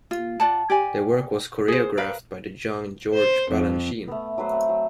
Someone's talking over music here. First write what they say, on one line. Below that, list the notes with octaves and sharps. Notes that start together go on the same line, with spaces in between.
The work was choreographed by the young George Balanchine.
F4
F4 D5 F#5 A5
G4 D5 G#5
G#4 C5
A#4 B4 F5
C5
F2
A3 B3
F#3 A3 B4 C5
C4 G5
F#3